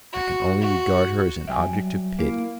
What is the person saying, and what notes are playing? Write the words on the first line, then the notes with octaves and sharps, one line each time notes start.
I can only regard her as an object of pity!
F#4
F#4
F#3 G3 E5 G5 G#5
A#3 E4